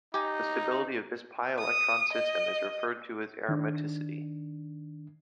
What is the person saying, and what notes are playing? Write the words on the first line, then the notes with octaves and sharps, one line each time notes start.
The stability of this pi-electron system is referred to as aromaticity.
D#4 G4 G#5
D#6
D#5
D#3 D4